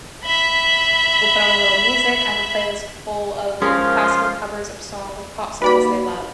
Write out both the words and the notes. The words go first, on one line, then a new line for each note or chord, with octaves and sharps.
we'll put on a little music. I have a playlist full of classical covers of song like pop songs they love
E5 B5
F3 G#3 C#4 F4 G#4 A#4
A#3 D#4 F#4 B4 D5 B5